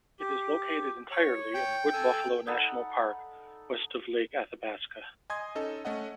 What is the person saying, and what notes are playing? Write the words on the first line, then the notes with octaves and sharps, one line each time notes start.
It is located entirely in Wood Buffalo National Park, west of Lake Athabasca.
G4
C#5
G5
A4 G#5 E6
D#4 A4 F#5 B5
D#5 G#5 C6 D#6 G#6
C#4 D#4 A4 D#5
A3 C#4 D#5 F#5